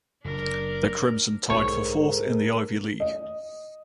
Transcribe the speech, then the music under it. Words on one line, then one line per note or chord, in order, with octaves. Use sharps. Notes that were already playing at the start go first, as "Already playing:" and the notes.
The Crimson tied for fourth in the Ivy League.
F#1 D4 A#4
B1 G#2 A4 A#4 C#5
D#5